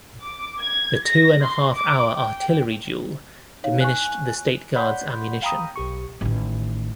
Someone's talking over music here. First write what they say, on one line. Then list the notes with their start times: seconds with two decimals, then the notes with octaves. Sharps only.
The two and a half hour artillery duel diminished the State Guard's ammunition.
0.22 D6
0.61 G#6
1.06 A#6
1.43 C6
1.75 D6
2.15 G5
3.64 D#4 C#5 F5
3.81 G#5 C#6 F#6
4.75 C#5 D5 F#5 B5 C6 G6
5.42 F5 G5 A#5 B5 D#6
5.76 B1 G4 C#6
6.21 A1 D#3